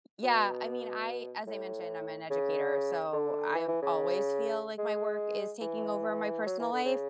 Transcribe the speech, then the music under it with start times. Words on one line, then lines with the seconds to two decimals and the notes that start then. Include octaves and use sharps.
Yeah, I mean, I As I mentioned, I'm an educator, so, I've always feel like my work is taking over my personal life,
0.23 B2
1.47 A2
2.30 C#3
3.13 D3
3.55 E3
3.68 E3
3.82 C#3
4.79 G#3
5.61 E3
6.46 F#3
6.59 E3
6.72 D3
6.85 C#3